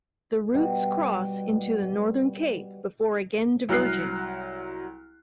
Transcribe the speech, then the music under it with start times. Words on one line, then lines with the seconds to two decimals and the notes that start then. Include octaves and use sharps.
The routes cross into the Northern Cape before again diverging.
0.54 B2 G3
3.69 C2 F#3 F6 F#6 C7